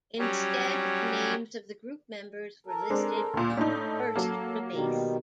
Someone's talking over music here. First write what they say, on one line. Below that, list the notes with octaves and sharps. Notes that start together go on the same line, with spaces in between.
Instead, the names of the group members were listed on the first release.
F#3 G3 C#4
A4 A#4
G#3 C4 D4
D2 A#2
A2 D4 D#4 A4
F#3 A#3
B2 D#3 G3